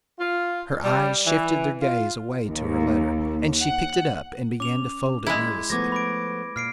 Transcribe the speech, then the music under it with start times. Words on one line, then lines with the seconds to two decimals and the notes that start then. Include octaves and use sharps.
Her eyes shifted their gaze away to her letter, and she picked it up and began to fold it nervously.
0.19 F4
0.83 G3
1.26 E3
1.81 F4
2.48 D#2
3.63 F#5
4.60 C#4 D6 F7
5.26 G#3 E4
5.70 F3 A3 B3 D6 G#6 A#6
5.92 B5 D6 D7
6.56 A#2 F6 C7 D7